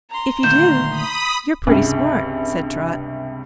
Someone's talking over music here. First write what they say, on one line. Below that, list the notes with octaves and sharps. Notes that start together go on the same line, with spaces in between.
"If you do you're pretty smart," said Trot.
A#5 C6
D2 A#2 D#3 G6 E7
B5 D#6
C#2 G2 C3